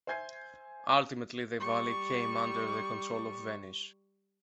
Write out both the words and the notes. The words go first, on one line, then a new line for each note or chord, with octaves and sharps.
Ultimately the valley came under the control of Venice.
C5 E5 G#5 G6 G#6 C7
G3 C#6